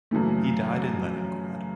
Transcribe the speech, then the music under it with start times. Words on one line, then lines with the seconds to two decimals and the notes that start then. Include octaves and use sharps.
He died in Leningrad.
0.11 F#2 C#3 E3 A3